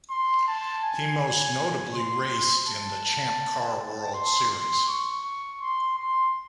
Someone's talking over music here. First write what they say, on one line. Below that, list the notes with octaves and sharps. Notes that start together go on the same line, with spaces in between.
He most notably raced in the Champ Car World Series.
C6
A5
G#5
C6
A5
A5
C6
C6
C#6
C6
C6